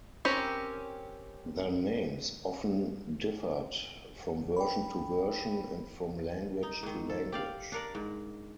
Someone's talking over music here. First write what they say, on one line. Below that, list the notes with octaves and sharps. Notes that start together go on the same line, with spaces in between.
Their names often differed from version to version and from language to language.
C4 C#4 G4 A#4
G5 B5
D#4
G#2 D#3
A4
G4 D5 F5
D4 A#4 D5
G#2